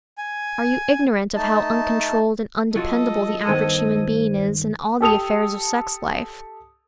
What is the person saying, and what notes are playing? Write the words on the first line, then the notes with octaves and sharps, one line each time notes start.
Are you ignorant of how uncontrolled and undependable the average human being is in all the affairs of sex life?
G#5
A3 D#4 A5
F#3 F4 F#4 A4 D#5
G2 D#3 B3 C5 G#6 D#7
G4 A4 D#6 F7